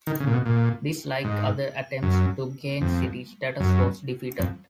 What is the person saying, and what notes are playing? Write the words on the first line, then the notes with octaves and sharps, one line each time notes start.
This, like other attempts to gain city status, was defeated.
D#3
C#3
A#2
B2
A#2
G#2
F#2
F2
F#2
F2